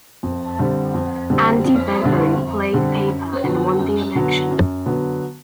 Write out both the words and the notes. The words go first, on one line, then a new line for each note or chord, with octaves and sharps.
Andy Bedbury played Paper and won the election.
F2
D3 G3 C4
F2
D3 G3 C4
F2
D3 G3 C4
F2
D3 G3 C4
F#2
D3 F#3 B3
F#2
D3 F#3 B3
F#2
D3 F#3 B3